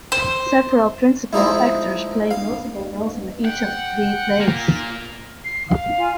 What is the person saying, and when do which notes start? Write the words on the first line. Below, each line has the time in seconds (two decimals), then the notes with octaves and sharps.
Several principal actors played multiple roles in each of the three plays.
0.12 C5
1.33 F3 G#3 D#4 E4
2.31 F5
3.45 F#5 G5
4.40 A#2 A#3 A#4
5.45 C7
5.69 F5
5.98 F4 G#5